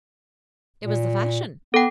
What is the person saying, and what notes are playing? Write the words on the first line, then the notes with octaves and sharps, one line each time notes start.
It was the fashion.
A#2
B3 A4 G5